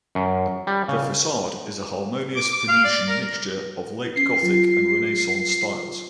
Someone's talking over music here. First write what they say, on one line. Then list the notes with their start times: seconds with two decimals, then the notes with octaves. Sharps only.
The facade is a harmonious Venetian mixture of late-Gothic and Renaissance styles.
0.15 F#2
0.67 G3
0.89 C#3
2.36 D6
2.53 D6
2.68 F5
2.85 D5
3.08 A#4
4.16 C#4 C7
4.43 F#3 F4